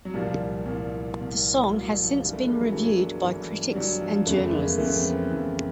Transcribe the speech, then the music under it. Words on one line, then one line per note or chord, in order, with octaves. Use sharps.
The song has since been reviewed by critics and journalists.
F#3
C2 A#2 F3 G3
C2 A#2
C2 A#2
C2 A#2 F#3
F3
G2 E3 F3 G3
A3 B3
G#3 A#3
F#3 G#3
G2 E3 F#3
G2 E3
G3
G2 E3 F#3
F3
F2 C#3 E3 A3 B3
A3
G#3 A#3
F2 C#3 E3 A3 B3
C4
A3 B3
F2 C#3 E3